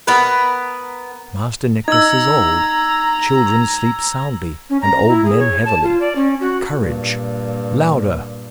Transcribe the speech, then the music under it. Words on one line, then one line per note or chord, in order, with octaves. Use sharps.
"Master Nicless is old, children sleep soundly, and old men heavily. Courage! louder!"
B3 A#4 B4
D#4 A#5 E6 G#6
C#4
A#5
E4
G#4
C#5
A5
F4
D5
C#4
F#4
G2 A#2